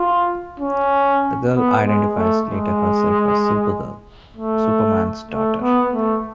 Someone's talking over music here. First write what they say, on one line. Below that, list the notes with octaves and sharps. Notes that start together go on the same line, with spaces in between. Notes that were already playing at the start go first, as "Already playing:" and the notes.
The girl identifies later herself as Supergirl, Superman's daughter.
Already playing: F4
C#4
B3
G#3
A3
G#3
A3
A3
B3
A3